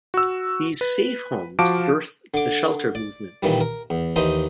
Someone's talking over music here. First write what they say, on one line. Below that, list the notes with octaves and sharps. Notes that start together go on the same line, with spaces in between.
These "safe homes" birthed the shelter movement.
F#4 E6
B4
F3 F#4 F5 A5 D6 D7
D3 D6
D5
A#2 D#3 E3 G3
A#4
E2
D#2 E3 D#4 C5 D#5 C6